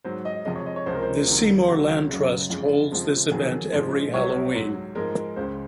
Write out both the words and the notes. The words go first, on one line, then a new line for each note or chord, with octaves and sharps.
The Seymour Land Trust holds this event every Halloween.
G#2 F#3 C5
D#5
F2 C3 F3 G#3 D#5
C#5
D#5
C#5
C#2 C3 F3 G#3 C5
A#4
C5
C#2 C3 D#3 F#3
C#2 C#3 F#3 F#4
F#2 C#3 G#3
F2 C#3 G#3 F4
F2 C#3 F3 G#3
F2 D#3 F#3 G#4
G#2 F3 G#3
C2 C3 F#3 C#5
G#2 F#3
G#2 F3 G#3 A#4
C#2 C#3 G#3 C5